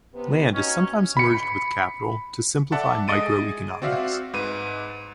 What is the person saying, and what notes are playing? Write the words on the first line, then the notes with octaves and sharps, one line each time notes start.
Land is sometimes merged with capital to simplify micro-economics.
C3 B3
C#4 D#4 F#4
B5 C#7
A4 D5 E5 F#5 A5 D6
G#3 D#5 D#6 A6 D7 D#7
G#4
C4 F#4 D5 E5 F5
G#2 B4 D#7